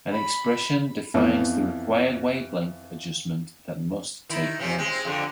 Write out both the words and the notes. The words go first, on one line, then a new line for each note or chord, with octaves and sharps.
An expression defines the required wavelength adjustment that must take place.
B5
F2 E3 B3
D#3 E4
C3 F3 C#4
G#3 C4
F2 D3